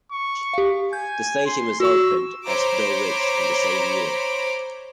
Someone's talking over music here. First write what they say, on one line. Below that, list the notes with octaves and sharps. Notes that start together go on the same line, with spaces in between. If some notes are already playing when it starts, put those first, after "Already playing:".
The station was opened as "Dulwich" in the same year.
C#6
G4 F5
G#5 G6
C6
F#4 C#6 E6
C5 C#5 A#5 B5 D6